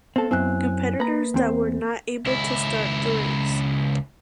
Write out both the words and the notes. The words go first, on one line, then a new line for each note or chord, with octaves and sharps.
Competitors that were not able to start the race.
B3 C4 A4
F#2 C4 E4 G#5 F#6
A#3 B4 A#5
E2 C4 C5
C#2 E4